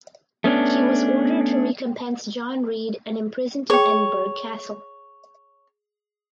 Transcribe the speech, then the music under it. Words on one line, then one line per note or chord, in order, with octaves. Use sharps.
He was ordered to recompense John Reid and imprisoned in Edinburgh Castle.
A3 B3 C#4 D4
G#4 C#5 G5